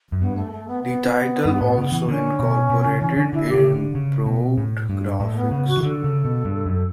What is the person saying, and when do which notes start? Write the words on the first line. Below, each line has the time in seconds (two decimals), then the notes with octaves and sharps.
The title also incorporated improved graphics.
0.12 F#2
0.20 G2 B3
0.36 A3
0.52 A3
0.68 B3
0.83 B3
1.45 G2
1.61 A2
1.77 C#3
1.92 E3
2.08 D3 C#4
2.39 B2
2.70 B2
2.85 C#3
3.02 E3
3.17 D3
3.32 D3 E4
3.49 G4
3.54 C#3
3.75 D3
3.95 C#3
4.26 B2
4.58 A2
4.89 G2
5.20 A2 A3
5.36 B3
5.51 C#3 B3
5.67 F#4
5.77 E3
5.82 D3 A4
6.04 C#3
6.25 B2
6.45 G2
6.66 F#2